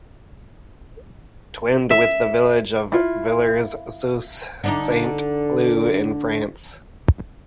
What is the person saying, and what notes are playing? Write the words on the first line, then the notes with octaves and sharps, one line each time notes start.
Twinned with the village of Villers-sous-Saint-Leu in France.
E5
E4 F4
D3 D4 D#4